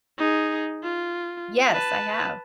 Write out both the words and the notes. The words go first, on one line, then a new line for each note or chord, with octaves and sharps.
Yes, I have.
D#4 G#4
F4
B4 A5